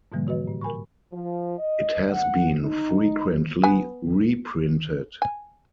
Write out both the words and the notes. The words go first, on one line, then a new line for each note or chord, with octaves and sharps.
It has been frequently reprinted.
G#2 B2 D3 F3 G3 A#3
E3 F#4 B4 D#5
A2
A#4 G#5 B5 C#6
F3
D#5
F#5
D#4
B3 B4 G#5
G#5